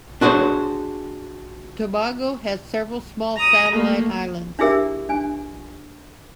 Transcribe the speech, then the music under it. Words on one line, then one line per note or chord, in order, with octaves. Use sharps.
Tobago has several small satellite islands.
D4 F#4 G#4 C5 C#5
A#5 D#6
A3 A#3
D4 E4 G4 G#4 A#4 E5
D4 G#5